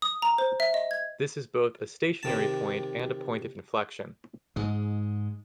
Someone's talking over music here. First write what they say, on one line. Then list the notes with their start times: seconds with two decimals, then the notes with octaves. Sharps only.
This is both a stationary point and a point of inflection.
0.02 D#6
0.22 A#5
0.38 C5
0.60 E5
0.74 D#5
0.91 G#6
2.23 C3 D#3 A5
4.56 G#2 G#3